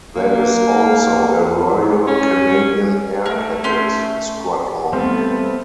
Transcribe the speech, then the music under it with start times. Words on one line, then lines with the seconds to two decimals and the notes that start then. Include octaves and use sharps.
There is also a Royal Canadian Air Cadet Squadron.
0.16 A#3
2.08 C#4
3.26 A3 A#4
3.64 C#4 C6 G6
4.93 G3 A3 B3 C4 C5 F5